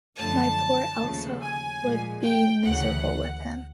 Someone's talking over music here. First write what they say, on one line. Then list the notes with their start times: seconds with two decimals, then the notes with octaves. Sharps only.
My poor Elsa would be miserable with him.
0.17 F#2 D3 F3 A3 A5
1.01 D#2 C#3 F3 A3
1.42 G#5
1.83 A#2 F3 G#3
2.24 G5
2.65 D2 C#3 E3 F#5